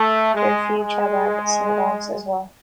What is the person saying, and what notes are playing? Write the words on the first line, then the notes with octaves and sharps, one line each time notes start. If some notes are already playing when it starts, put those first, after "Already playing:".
There are a few Chabad Synagogues as well.
Already playing: A3
G#3
G#3